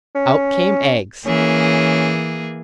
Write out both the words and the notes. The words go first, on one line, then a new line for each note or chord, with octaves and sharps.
Out came eggs.
C#4
E3 A#3 C#4 G#4